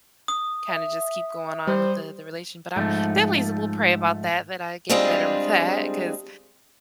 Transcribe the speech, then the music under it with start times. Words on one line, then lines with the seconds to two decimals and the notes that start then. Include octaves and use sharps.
kinda just keep going on with the the relation But I'm definitely still pray about that, that I get better with that, 'cause
0.28 D#6
0.67 E5
1.67 G3 C5
2.76 G#2 F3 A3
4.89 G3 G#3 C4 D4 F4 G#4